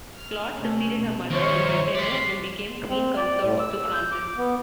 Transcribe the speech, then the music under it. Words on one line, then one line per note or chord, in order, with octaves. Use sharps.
Claude succeeded her mother in Brittany and became queen consort to Francis.
F6
C3 A3 C#4
B2
D#3 F3 C5 C#5 E5 C6 C#6
G#3 D5 C6 B6 C7
C4
D5
A2
E6
G6
D6
B3